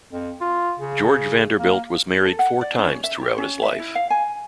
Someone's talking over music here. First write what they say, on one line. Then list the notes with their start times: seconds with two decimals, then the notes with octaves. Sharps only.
George Vanderbilt was married four times throughout his life.
0.13 F2
0.41 F4
0.79 C#3
1.59 A#3
2.25 A4
2.39 F#5
2.61 D5
2.78 C#4
3.04 E5
3.21 G4
3.38 C#4
3.62 E5
3.79 E4
3.95 F5
4.10 G#5